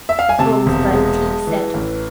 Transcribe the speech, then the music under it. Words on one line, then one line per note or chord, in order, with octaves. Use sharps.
The rosebud tea set!
E5
F5
G#5
C3 A5
E1
G#3
G#3
E3
A1